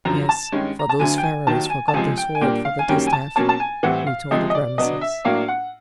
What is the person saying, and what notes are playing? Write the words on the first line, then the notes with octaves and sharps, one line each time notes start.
"Yes, for those pharaohs forgot the sword for the distaff," retorted Rameses.
F#2 D3 F3 A#5
A5
G2 D#3 G#3 C#4
A#5
A5
D2 D3 F#3 G#5
G5
G#5
D#2 D#3 F#3 A5
G#5
A5
C#2 C3 F3 G#3 G#5
G5
G#5
A#2 G3 A#3 D4 G5
F5
G#5
F#2 D#3 G3 A#3 C#4 G5
G#5
A5
B2 F#3 A#3 C#4 A5
A5
G#5
A2 E3 G3 C4 F#5
F5
C2 C3 F3 G#3 D#5
D#5
D5
B2 F#3 B3 D4 D#5
E5
A2 F#3 A#3 D4 F5
F#5